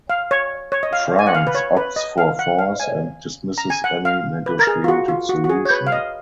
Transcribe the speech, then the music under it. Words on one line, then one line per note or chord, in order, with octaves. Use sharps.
France opts for force and dismisses any negotiated solution.
F5
C#5
C#5
D#5
F5
G#5
F#5
F5
B4
C#5
B4
D#5
F5
F#5
F5
G#5
A#5
G#5
F#5
F5
B4
A#4
G#4
F4
F#4
F4
F#4
F#4
G#4
C#5
B4
F5
D#5